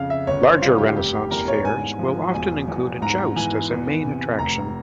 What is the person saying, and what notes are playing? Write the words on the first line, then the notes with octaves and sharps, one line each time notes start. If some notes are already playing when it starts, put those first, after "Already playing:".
Larger Renaissance fairs will often include a joust as a main attraction.
Already playing: F2 C#3 F5
E5
G1 C#5
C5
G2 F4
G4
F1 G4
G4
E2 A#4
C#5
G#2 G#5
F3
E1 G#5
E2
G#2 A#5
E3 G#5
E2
C3
F1 A#5